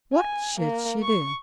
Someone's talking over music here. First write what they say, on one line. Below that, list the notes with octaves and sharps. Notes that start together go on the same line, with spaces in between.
What should she do?
G#5
A#3
C#6